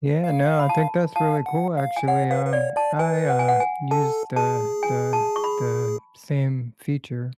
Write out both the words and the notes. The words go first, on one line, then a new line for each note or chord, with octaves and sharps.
Yeah, no, I think that's really cool, actually, um, I, uh, used the the the same feature,
F5
B5
A5
F5 A5
F#5
F5
G#5
C#5 F#5
B4 F5
B4
C#5 D5
D5 A5
B4 G#5
F#5
G#5
F#5
G#5
A4 A5
G#4 A5
G#5
A5
C#6
B5